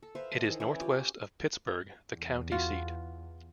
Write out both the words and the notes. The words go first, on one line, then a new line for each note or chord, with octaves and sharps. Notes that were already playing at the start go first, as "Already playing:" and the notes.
It is northwest of Pittsburg, the county seat.
A4
B4 C5 E5 F5
A4 D5 D#5
D#3 E3
E3 C#4 E4 D5
F4 G4
E2
F4 F#4